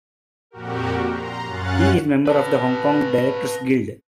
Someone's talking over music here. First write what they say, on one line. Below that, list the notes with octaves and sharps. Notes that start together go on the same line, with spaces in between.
He is a member of the Hong Kong Directors' Guild.
F2 A#2 F#4 G4 A#4
A#5 C6
F#2 C#4 F5 F#5 F#6 A6
B4 A5